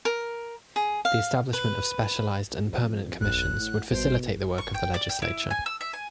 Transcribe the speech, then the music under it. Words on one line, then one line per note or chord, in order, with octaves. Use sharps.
The establishment of specialised and permanent commissions would facilitate the work of the legislature.
A#4
G#4
F5
B4
F2
F#1 B1 E2 F#6
A2 F#5
A1 B2 G3 C5
C#6
G5
D5
G5
E4
G#5
E6
E5
G#5